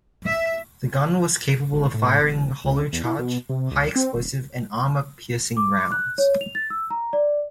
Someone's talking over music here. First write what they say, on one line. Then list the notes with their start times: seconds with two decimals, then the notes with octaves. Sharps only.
The gun was capable of firing hollow charge, high explosive, and armour piercing rounds.
0.24 E5
1.73 G#1
1.94 A2
2.20 E1
2.64 C#2
2.93 E2
3.05 E4
3.19 B2
3.49 C3
3.71 C#2
3.96 C4
4.15 D#1
5.57 D6
5.92 F#6
6.18 C#5
6.41 F7
6.55 A6
6.70 E6
6.90 A#5
7.13 D5